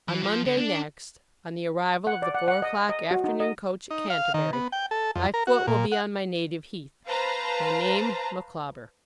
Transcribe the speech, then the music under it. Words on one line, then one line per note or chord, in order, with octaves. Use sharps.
On Monday next, on the arrival of the four o'clock afternoon coach at Canterbury, my foot will be on my native heath--my name, Micawber!'
E3
F3
D3
D4
F#5
D5
F#5
F#5
D#5
D#5
F#4
D#4
D#5
D#4
F5
D#3
B3
G5
A4
F2
A#4
F#4
A#2
F#5
B4 C5 F5 A5 A#5